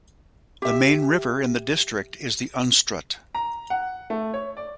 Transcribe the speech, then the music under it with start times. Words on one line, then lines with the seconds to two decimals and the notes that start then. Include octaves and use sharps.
The main river in the district is the Unstrut.
0.62 G4 E5
3.35 A#5
3.70 F#5
4.10 A3
4.34 C#5
4.57 D5